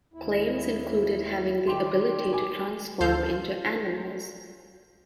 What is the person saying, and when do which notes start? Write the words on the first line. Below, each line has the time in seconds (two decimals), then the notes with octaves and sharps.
Claims included having the ability to transform into animals.
0.14 D#2 E4
1.67 D#3 G3 G4 G5 C6
2.33 G#5 D6
3.00 D2 A4 C5 F5 G6